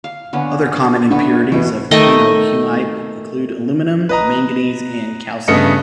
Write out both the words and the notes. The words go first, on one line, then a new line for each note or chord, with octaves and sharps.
Other common impurities of clinohumite include aluminium, manganese, and calcium.
F5
D3 B3 C#4
D3 A3 B3 C#6
B2 E3 B3
D#3 A3 D#5 G5
B4 D#5 A#5
G2 C#3 A3 B3 D#5 C#7